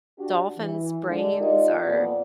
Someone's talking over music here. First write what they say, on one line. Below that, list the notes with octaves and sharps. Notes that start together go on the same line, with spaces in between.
dolphins' brains are
D4 F#4 G4
E3
D3 G#3
D#4 F4 G4 A#4 D5 D#5
F2 A#2 B3 F4 D5